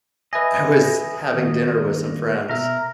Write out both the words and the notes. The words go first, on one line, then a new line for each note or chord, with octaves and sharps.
I was having dinner with some friends,
B4 D#5 E5 G#5
D#3 A#3
B2 A#4 E5